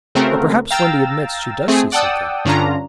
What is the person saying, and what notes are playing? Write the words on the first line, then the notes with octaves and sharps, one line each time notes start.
Or perhaps Wendy admits she does see something.
C#3 A3 C4 F#4 A#4
F5 G5 A#5 E6 A6
A3 C4 G#4
D5 F#5 G5 A5 D#6 E6
G2 D3 C#4 D4 F4 A#5